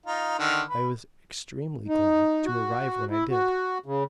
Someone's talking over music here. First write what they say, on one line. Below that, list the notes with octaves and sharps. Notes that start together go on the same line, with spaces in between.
I was extremely glad to arrive when I did.
D#4 F4
D3 D#3 F6
B4
D#4
F#4
E4
F#4
C#3